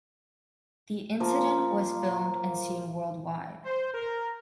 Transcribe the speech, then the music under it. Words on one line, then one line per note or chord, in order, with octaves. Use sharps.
The incident was filmed and seen worldwide.
F3 A#3 F4
C5
A#4